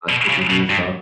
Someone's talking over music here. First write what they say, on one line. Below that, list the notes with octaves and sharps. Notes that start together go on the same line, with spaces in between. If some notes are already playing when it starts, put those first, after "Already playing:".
uh, stick with you as well?
B2
C#3
B2
G2